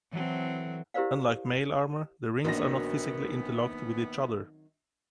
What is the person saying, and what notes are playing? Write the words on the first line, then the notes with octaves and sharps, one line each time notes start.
Unlike mail armour, the rings are not physically interlocked with each other.
E3 F#3 C4 F#4 A4
E4 G4 A#4 C5 D5 F5
A#1 D#3 F#3 B3 C4 D4 A#6